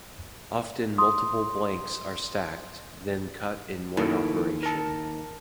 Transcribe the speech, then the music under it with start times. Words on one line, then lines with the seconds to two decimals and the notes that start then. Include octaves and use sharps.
Often multiple blanks are stacked, then cut in one operation.
0.98 C6 D#6
3.97 D#2 E4 A4 A#4
4.63 A#4 A5